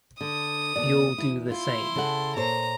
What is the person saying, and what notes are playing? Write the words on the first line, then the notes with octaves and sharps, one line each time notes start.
You'll do the same.
D3 D#6
D#2 B2 D5
E2 E4
E4 F4 C6
C#3 A4 F#5
A#2 C5 C#5 A#5